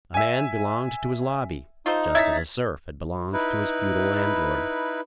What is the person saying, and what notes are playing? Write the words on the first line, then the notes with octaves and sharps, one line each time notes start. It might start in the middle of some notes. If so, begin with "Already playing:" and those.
A man belonged to his Lobby, just as a serf had belonged to his feudal landlord.
E5 G#5
D#4 F4 A4 C5
C#4 E4 E5 G#6 A6 B6
D#4 E4 B4